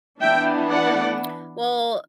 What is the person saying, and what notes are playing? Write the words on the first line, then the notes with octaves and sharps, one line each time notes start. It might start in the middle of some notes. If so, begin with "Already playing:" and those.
Mm, well,
E3 B3 D4 E5 G5
D5 F#5